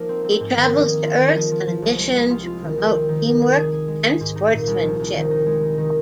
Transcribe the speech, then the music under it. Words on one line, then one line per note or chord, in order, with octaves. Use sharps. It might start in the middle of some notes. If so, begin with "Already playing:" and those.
He travels to Earth on a mission to promote teamwork and sportsmanship.
Already playing: F3 A#3 D#4
C4
C4
G#2
D#3
A#3
G#4
F4
D#3
F3
F3
F3
C2
G#3
G#3
F4
F4
D#3
D#3
C4
D#3
D#4
G#4
G#4
G#4
G#3
G#4
G#2
D#4
A#2
C2
F3
C2
D#3
D#4
G#3
D#4
D#3